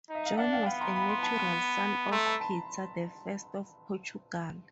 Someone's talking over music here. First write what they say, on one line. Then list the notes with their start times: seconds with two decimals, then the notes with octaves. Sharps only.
John was a natural son of Peter the First of Portugal.
0.09 D#4
0.15 E5
0.26 F5
0.38 D4 E5 F#5
0.53 F5 G5
0.66 B3 F5 G5
0.81 A#5 C6
0.96 B5
1.09 C6
1.23 A5 B5
2.11 A3 A#5 C6
2.26 A5 B5
2.40 A5 B5